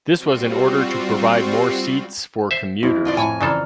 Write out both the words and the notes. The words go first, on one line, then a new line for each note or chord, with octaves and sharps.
This was in order to provide more seats for commuters.
G3 C4 F4 F#4
C5 E5
F2 E4
B2 F4 D5
A2 C#5 G#5
C#3 E3 A4 D5 A#5 F6